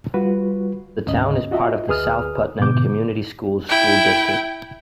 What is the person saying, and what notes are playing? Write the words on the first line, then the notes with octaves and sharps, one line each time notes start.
The town is part of the South Putnam Community Schools school district.
G3 F4 F#4 B4
D2 G#2 C#4 D#5
F4 F#4 D#5 E5
D2 G#4 B4 D#6 F6
G#2 B2 D3 B3 D6 G6
E4 G5